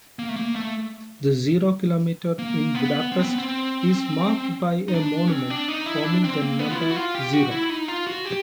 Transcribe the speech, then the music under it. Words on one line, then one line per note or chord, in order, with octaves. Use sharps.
The Zero Kilometre in Budapest is marked by a monument, forming the number "zero".
A#3
A3
A#3
A3
A#3
B3
C4
B3
C4
D#4
D4
C#4
C4
D4
D#4
E4
D4
C4
A#3
B3
F4
E4
F#4
F4
G4
F#4
E4
D#4
F4
F#4
G4